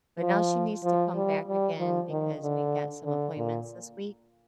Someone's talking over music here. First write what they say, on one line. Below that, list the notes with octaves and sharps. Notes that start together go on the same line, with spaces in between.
but now she needs to come back again because we got some appointments this week.
F3
F3
G3
G3
F3
D#3
D3
D3
A#2